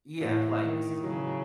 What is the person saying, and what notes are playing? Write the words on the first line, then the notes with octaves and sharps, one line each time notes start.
Yeah. Politeness is a good one.
A2 E3
D#3
C#3 F#3
F#3